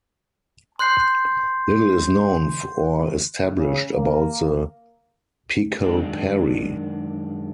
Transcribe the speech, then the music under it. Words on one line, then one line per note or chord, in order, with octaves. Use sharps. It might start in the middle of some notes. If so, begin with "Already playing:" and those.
Little is known or established about the Pichal Peri.
C6 F#6 G6 C7
C#3
A#3
F#2 D#3 G#3 D4